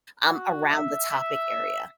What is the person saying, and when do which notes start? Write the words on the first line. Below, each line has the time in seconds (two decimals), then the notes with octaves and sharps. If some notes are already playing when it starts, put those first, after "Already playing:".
um, around the topic area.
0.29 F#4
0.70 E5
1.11 E5